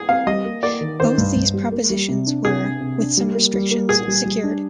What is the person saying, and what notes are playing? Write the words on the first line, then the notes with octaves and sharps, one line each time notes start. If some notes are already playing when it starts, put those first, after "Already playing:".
Both these propositions were, with some restrictions, secured.
Already playing: G#4
C4 F5
G3 D#5
A#3
A#3 D5
D#3
D#3 C5
G2
G2
G3
A#3
G3
C3
D4
C3 G#4
D4
C3
D4
G3
A#3
G3
A#3
A#2 G#4
G3
G3
D4